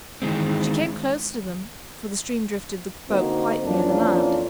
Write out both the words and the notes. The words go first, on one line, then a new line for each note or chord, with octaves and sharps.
She came close to them, for the stream drifted the boat quite near the land.
D#3 E3 G#3 C4
D3 A#3 C4 D#4 F#4 C5
F2 E3 F3 A#3 C#4 D4